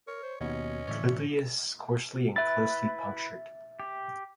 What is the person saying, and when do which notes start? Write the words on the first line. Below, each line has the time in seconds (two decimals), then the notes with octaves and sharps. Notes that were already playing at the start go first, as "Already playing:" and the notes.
Clypeus coarsely and closely punctured.
0.08 A#4 C#5
0.23 C5
0.41 D#2 B2 D#3 C#4 F#4 D#5 G#6
0.88 A2 D3 E3 C#5 D5 E5
2.36 E4 B4 E5 A6
3.80 G4